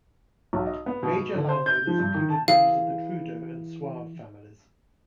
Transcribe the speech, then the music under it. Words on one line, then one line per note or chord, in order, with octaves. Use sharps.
Major landowners included members of the Trudeau and Sauve families.
B1
D#5
B3
B2
B2
D3
C5
G6
F3
G2
D#3
A5
E3 G#4 F5